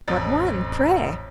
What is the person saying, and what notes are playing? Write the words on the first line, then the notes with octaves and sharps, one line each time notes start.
"What one, pray?"
A1 F2 A6